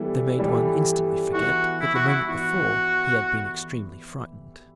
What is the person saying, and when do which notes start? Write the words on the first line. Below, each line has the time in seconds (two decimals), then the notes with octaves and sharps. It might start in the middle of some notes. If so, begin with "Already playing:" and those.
They made one instantly forget that the moment before he had been extremely frightened.
Already playing: E3 G3 B3 E4 A4
0.39 E3 G3 B3 E4 A4
1.34 E3 B3 E4 F#4
1.81 E4
1.95 F#4
2.08 E4
2.28 E3 B3 E4 F#4